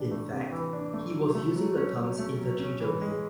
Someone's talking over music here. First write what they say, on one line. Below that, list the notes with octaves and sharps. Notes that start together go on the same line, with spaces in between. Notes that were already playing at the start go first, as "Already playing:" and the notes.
In fact he was using the terms interchangeably.
Already playing: C3 E3 D4
A3
C3
E3
D4
A3
F#3
A3
F#3
C#4
F#3
A3
F#3
C#4
E3
G#3